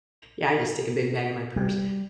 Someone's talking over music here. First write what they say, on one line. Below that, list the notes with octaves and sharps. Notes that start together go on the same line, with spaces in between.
Yeah, I just stick a big bag in my purse,
G3